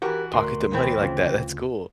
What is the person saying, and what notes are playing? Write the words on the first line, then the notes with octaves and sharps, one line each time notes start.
Pocket the money like that, that's cool.
E3 F#4 G4 A#4
D2 A#4 C6
E2 E3 C4
C#3 F4